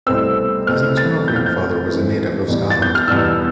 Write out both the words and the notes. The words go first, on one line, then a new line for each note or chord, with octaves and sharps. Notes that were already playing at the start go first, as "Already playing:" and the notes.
His maternal grandfather was a native of Scotland.
C2 B2 A3 C4 E6
C2 B2 A3 C4 F6
A6
F2 E3 A3 C4 G6
F6
G6
F2 E3 A3 C4
E2 B2 G3 B3
A6
G6
F6
E2 B2 G3 B3 E6